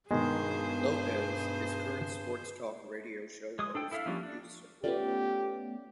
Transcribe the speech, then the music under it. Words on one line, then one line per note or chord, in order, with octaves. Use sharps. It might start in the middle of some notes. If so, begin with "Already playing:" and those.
Lopez is a current sports talk radio show host in Houston.
G2 B2 D#3 G#3 G#4 C5
G#3 D#6
D4 A4 G5
E4 A4 E5 F5
F3 G3 A#3 C#4 D4
D4
A3 B3 C#4 F4 G4 D5